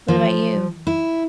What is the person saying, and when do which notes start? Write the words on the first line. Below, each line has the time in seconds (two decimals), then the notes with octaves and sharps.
What about you?
0.08 F3
0.87 E4